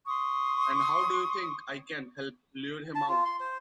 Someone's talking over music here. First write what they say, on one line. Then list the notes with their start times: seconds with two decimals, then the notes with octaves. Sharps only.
And how do you think I can help lure him out?
0.07 C6 C#6 D#6
2.95 A5
3.09 F4
3.25 C6
3.40 C5